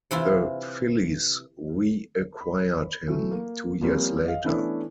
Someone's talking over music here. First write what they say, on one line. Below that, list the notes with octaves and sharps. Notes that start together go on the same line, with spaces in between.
The Phillies reacquired him two years later.
C3 E3 E4 F4
B5
E3 F#3 A3
A#3
F3 G3 A#3 C4 C#4
D#5 F5
E3 A3 B3 C#4 D4 E4